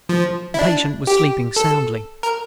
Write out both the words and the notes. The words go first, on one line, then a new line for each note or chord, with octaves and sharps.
The patient was sleeping soundly.
F3
E4
D4
G4
A4
A#4